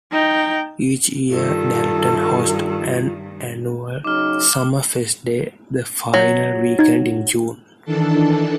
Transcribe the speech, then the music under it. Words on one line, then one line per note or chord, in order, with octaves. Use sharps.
Each year, Dalton hosts an annual "Summerfest Day" the final weekend in June.
D#4 G5
G2 D#3 F4 A4
C#3 F#3 D#4 D6 F6
F#3
D#4 G#6
D#3 E3 D4 A4 A5